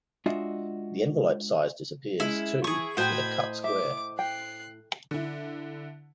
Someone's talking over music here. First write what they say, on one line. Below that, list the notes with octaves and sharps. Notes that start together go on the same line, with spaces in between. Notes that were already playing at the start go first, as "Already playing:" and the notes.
The envelope size disappears, too, with a cut square.
G#3 D4 F4 F#4 D#5 E5
G#3 C#4 E4
E3 E4 G#4 C#6
A2 F#4 C5 D#5 G5 B5 G#6
E5 D6
G5 F#6 C7
D3 E4